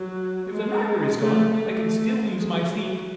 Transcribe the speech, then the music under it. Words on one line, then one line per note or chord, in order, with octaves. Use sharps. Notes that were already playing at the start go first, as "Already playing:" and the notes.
"If the knocker is gone, I can still use my feet."
Already playing: F#3
G#3
A3
A3
G#3
F#3